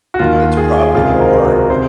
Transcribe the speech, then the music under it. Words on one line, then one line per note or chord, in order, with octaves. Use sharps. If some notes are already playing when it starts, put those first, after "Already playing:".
it's probably more
F#4
D#2 D#3 F4
F4 G#4
C#2 C3 D#3 F4 G#4
F#4 A#4
F#4 A#4
C3 G#4 C5